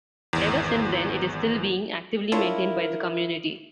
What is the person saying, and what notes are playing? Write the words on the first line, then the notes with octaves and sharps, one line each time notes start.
Ever since then it is still being actively maintained by the community.
G#1 E2
D4 E4 F4 A#4 C#5